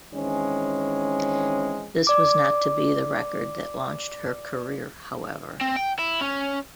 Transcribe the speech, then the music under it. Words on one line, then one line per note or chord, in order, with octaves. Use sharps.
This was not to be the record that launched her career, however.
D#3 E3 G#3 C4 C#4
D5 D6
C4
G5
E4
C#4